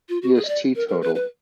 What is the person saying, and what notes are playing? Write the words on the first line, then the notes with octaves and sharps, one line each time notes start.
He is teetotal.
F4
F#4
G#4
D#5
D5
A#4
A#4
B4
B4